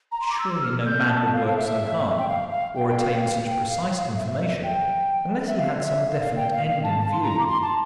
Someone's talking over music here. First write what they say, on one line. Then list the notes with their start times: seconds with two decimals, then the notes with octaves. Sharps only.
Surely no man would work so hard or attain such precise information unless he had some definite end in view.
0.12 A#5
0.21 C6
0.30 D6
0.39 E6
0.55 E6
0.62 F6
0.80 F6
0.86 G6
1.09 A5
1.33 F5
1.47 F5
1.57 E5
2.18 G5
2.28 F5
2.51 F5
2.75 G5
2.87 G5
2.98 F5
3.14 G5
3.22 F5
3.45 G5
3.69 F5
3.93 F5
4.16 E5
4.32 E5
4.63 G5
5.48 E5
5.58 F5
5.82 E5
6.05 F5
6.21 F5
6.36 G5
6.52 F5
6.68 F5
6.84 A5
6.99 A5
7.12 C6
7.23 A#5
7.39 D6
7.47 C6
7.62 A5